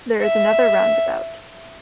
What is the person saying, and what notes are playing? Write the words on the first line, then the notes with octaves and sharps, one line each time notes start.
There is another roundabout.
E5